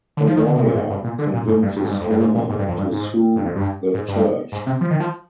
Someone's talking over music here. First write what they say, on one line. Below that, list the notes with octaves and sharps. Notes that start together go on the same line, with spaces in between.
A lawyer convinces Homer to sue the church.
D3
F3
D#3
D3
C3
A#2
G#2
G2
A#2
D3
A#2
G#2
G2
G2
G#2
G2
F2
G2
G#2
A#2
G#2
G2
F2
G2
G#2
G2
F2
G2
G#2
G2
G#2
C3
F3
D#3
F3